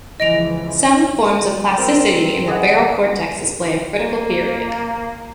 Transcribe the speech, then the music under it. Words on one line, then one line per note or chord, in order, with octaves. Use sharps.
Some forms of plasticity in the barrel cortex display a critical period.
C#2 E3 F3 D#5 D7 F7
C4 A#4
G#4 B4 D#5 F#5
A#3